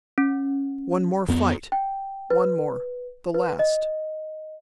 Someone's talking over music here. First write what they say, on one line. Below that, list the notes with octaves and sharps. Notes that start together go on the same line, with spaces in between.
One more fight--one more, the last.
C#4
F2 B3
G5
B4
B4
D#5